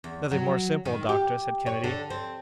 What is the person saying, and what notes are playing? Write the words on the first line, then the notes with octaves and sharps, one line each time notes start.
"Nothing more simple, doctor," said Kennedy.
E2
F#3
D#3
G4
C#5
D3
C4